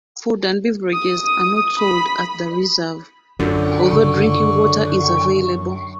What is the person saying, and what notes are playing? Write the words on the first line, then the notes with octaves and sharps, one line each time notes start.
Food and beverages are not sold at the reserve, although drinking water is available.
D#6
B5
F#2 D3 F4
C#3 C#6